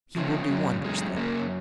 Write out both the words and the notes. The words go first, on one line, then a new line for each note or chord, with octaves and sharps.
"He will do wonders then."
C#3 F3
F#2 F#3
F#2 G#3
C#3 A#3